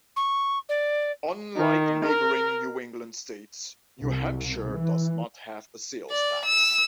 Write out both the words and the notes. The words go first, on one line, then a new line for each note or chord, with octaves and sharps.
Unlike neighboring New England states New Hampshire does not have a sales tax.
C#6
D5
D#3
A#4
C2
E3
D5
E6